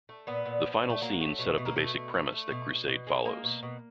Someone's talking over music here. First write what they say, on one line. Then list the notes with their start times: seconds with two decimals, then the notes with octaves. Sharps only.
The final scenes set up the basic premise that "Crusade" follows.
0.09 A3
0.27 A#2 B3
0.46 A#2
0.65 F3
0.84 A#2
0.90 A3
1.01 F#3 A#3
1.21 A3
1.39 B2
1.58 B2
1.65 A#3
1.76 B2 A3
1.95 A3
2.14 A3
2.32 A3
2.51 B2
2.70 B2
2.88 B2
3.07 G#3
3.25 G#3 A#3
3.44 B2
3.63 B2